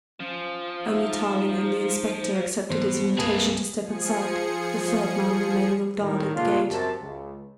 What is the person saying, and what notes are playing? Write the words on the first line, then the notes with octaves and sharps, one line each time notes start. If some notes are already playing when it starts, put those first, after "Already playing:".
Only Tarling and the Inspector accepted his invitation to step inside, the third man remaining on guard at the gate.
F3 C#4
D#4 E5
G#2 B2 E3 F#3 C5
C2 G2 C3 A#3 G#4 A4 B4
F3 G#4 C#7
A2 D#3
A#2 C#3 D4 F4
F#2 C3 A5
C#2